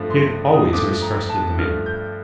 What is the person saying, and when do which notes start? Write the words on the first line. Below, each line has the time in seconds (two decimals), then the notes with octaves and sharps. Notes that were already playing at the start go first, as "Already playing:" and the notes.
She had always mistrusted the man.
Already playing: G2 F3 A3
0.10 C6
0.53 D#6
0.73 G2 F3 A3 D6
1.02 A#5
1.29 A5
1.59 G2 F3 A3 F6
1.86 G6